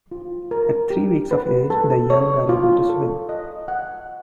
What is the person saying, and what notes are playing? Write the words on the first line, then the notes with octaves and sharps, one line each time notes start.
At three weeks of age, the young are able to swim.
F4
A#4
G4
B4
A4
C#5
F4
A4
D#5
F#5